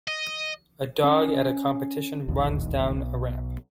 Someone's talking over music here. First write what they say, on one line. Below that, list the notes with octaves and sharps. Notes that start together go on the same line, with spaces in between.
A dog at a competition runs down a ramp.
D#5
C#4
E1 A#1 D#2
B1